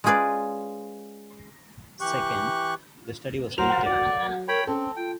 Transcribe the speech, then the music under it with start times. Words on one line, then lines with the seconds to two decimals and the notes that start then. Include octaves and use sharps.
Second, the study was limited.
0.04 G#3 C#4 F4 G#4 B4 D5
2.01 E3 G4 C#6 F#6
3.58 F#3 A#4 C5 F#5 F7
3.85 D5
4.48 A#4 C#5 G5 B5
4.67 C4 C#4 A4
4.96 F4 G5